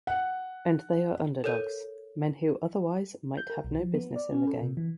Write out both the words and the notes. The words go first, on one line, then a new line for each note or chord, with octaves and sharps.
And they are underdogs, men who otherwise might have no business in the game.
F#5
A4 A#4 C#5 G6 D#7
G6
A#4
B1
F3
B3
D5
C#4
A4
C3
E3